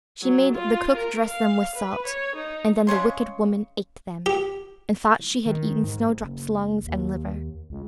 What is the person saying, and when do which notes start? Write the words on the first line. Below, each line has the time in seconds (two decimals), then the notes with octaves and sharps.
She made the cook dress them with salt, and then the wicked woman ate them, and thought she had eaten Snowdrop's lungs and liver.
0.23 F#3
0.54 F4
0.97 A#4
1.29 F5
1.75 B4
2.06 C#5
2.36 D#4
2.87 C#3 G#3 C#5 C6
4.26 G4
5.46 D#3
5.84 G#2
6.21 F#1
6.86 D#2
7.70 C#2